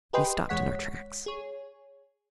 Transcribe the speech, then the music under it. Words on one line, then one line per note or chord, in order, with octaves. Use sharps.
We stopped in our tracks.
G4 G#4 B4 D#5 G5 C6
E2 G#3 C#5 F#5 B6
G#4 C#5